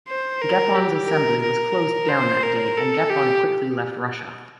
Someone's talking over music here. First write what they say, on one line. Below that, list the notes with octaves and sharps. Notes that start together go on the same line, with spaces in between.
Gapon's Assembly was closed down that day, and Gapon quickly left Russia.
C5
A#4
G4
A#4
A#4
C5
A#4
A4
G4